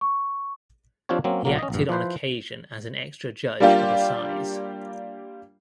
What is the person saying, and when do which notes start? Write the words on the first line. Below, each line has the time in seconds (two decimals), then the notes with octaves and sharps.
He acted on occasion as an extra judge of assize.
0.01 C#6
1.09 F3 C4 D4 F4 G4 C#5
1.24 F#3 A#3 C4 C#4
1.45 B1 F#3 A#3
1.59 C#4 D#5
1.70 A#1 G2
1.89 F3 E4 B4 C5
3.60 G3 A#3 D4 F4 G4